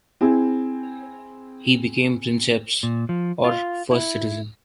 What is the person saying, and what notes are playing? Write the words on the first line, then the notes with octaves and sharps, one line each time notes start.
He became princeps, or "first citizen".
C4 E4 G#4
A#2
F3
F4
E4